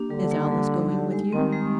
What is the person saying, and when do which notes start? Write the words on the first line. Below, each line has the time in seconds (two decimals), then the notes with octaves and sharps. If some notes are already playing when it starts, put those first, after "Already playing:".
'Is Alice going with you?'
Already playing: A#3 D4 G4
0.10 D3 G3
0.31 A#3
0.51 G3
0.72 D#4
0.91 G4
1.13 G#3
1.32 D#3 C4
1.52 G#3